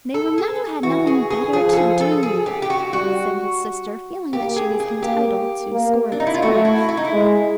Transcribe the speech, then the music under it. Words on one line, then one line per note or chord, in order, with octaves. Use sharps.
"They were men who had nothing better to do," said his sister, feeling that she was entitled to score this point.
A4
G#4
E3 F#4
G#4
G#4
F3 G#4
A4
G#4
A4
G#4
G4
G4
F#4
G3 F#4
A#3 G4
G#4
G#4
A#3 G4
A#3
D4
D#4
E4
F4
A3 F#4
E4
E4
D#4
E4
G#3